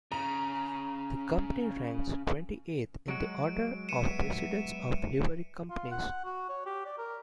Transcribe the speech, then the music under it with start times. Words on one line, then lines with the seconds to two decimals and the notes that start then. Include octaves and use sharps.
The Company ranks twenty-eighth in the order of precedence of Livery Companies.
0.12 C#3 A#5
3.08 F#3 G#3 F#4 D7
3.89 B3 E5 C#7 D#7 E7
5.70 F4
5.91 F#5
6.24 F#4
6.49 C#5
6.66 G4
6.85 D5
6.98 A#4